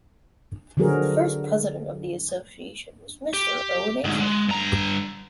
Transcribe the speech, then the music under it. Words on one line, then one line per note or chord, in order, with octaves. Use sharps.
The first President of the association was Mr. Owen Aisher.
D3 F3 F#3 F#4 G#4 A#4
G4
D2 G#2
G#3
G2 A#5